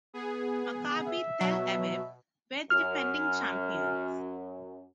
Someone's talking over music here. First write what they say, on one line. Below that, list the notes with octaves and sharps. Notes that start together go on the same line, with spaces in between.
Maccabi Tel Aviv were the defending champions.
B3 G#4
E5
B2 F#3
F#2 F6